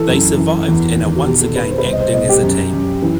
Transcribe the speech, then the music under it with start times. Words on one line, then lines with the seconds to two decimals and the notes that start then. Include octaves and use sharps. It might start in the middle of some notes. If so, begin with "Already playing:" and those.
They survived and are once again acting as a team.
Already playing: E3 A4
0.09 F#2
0.38 E3
0.68 E2
0.96 D#3
1.16 F#4
1.26 B2 G4
1.41 A4
1.56 B2 B4
1.71 C5
1.78 B4
1.85 C2 C5
1.93 D#5
2.00 C5
2.14 B2 D#5
2.29 G4
2.43 F#2
2.74 F#2
3.02 E3